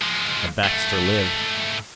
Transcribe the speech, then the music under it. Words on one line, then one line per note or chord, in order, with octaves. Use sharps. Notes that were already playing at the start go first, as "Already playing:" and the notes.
But Baxter lived.
F3 G#3
G#2 A3